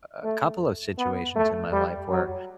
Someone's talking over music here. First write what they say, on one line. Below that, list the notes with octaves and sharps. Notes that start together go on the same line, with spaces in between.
a a couple of situations in my life where
A3
B3
A3
G3
F#3